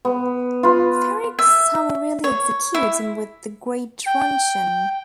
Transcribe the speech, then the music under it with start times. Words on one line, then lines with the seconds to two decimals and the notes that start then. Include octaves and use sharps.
Feric summarily executes him with the Great Truncheon.
0.05 B3
0.63 F4 B4
1.39 E5
2.24 C#5
2.75 E4
4.06 G5